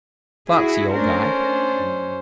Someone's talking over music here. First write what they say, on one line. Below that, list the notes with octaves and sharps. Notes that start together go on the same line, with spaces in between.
Foxy old guy.
E4 F#4 G#4
A3 C#4 D4 A#4 C5
D4
F#2